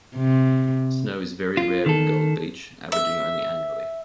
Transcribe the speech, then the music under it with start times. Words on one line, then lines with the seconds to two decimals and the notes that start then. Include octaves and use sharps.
Snow is very rare in Gold Beach, averaging only annually.
0.16 C3
1.57 F4
1.86 D#3 A4
2.92 E5